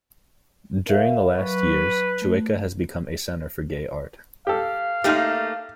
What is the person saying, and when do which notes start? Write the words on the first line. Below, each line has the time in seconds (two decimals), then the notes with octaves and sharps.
During the last years Chueca has become a center for gay art.
0.87 A#4 E5 F5
1.35 F#3 B4 C#6
2.22 A3
4.47 G4 A4 F5
5.04 A3 A#3 D#4 G4 F6